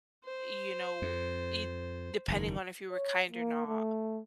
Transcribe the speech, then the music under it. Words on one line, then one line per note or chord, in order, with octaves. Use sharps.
you know, it depending on if you were kind or not,
C5
F2
F#1 E2 D#3
C#5
A#3
A3